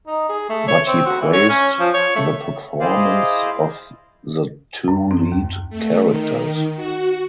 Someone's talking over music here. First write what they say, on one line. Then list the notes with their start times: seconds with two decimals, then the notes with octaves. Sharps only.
But he praised the performance of the two lead characters.
0.07 D#4
0.29 G#4
0.49 A3
0.68 C#5
0.87 C4
1.06 F#4
1.22 E3
1.33 C#5
1.49 C#4
1.79 F3
1.94 C#5
2.16 A3
2.80 E4 G#4 C5 D5 D#5 F5
4.88 F#2
5.11 C4
5.32 D#2
5.70 A3
6.04 D#3
6.76 F#4